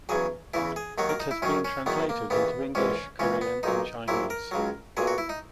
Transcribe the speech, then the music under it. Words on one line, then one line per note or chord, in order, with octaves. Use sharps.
It has been translated into English, Korean, and Chinese.
E2 C#3 F#3 G#4
E2 C#3 E3 E4
G#4
D#2 D#3 F#3 F#4
A#4
D#4
E4
F#2 D#3 F#3 C#4
C#4
E2 D#3 F#3 B3
A#3
D#2 C#3 E3 B3
A#1 G#2 E3 C#4
C#2 C#3 E3 C#4
B3
B1 A#2 F#3 D#4
A#1 A#2 F#3 E4
A#4
C#2 C#3 F#3
B1 A#2 F#3 G#4
F#4
E4
D#4